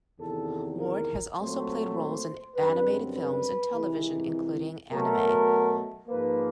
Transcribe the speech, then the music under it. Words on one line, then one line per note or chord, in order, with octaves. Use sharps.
Ward has also played roles in animated films in television including anime.
E2 C3 D#3 A4
A#4
A#2 F#3 A3 C4 C5
C5
F#2 D3 G3 C4 B4
B4
C2 C3 E3 G#3
B2 F#3 A3 A#4
G#2 F3 A#3 B4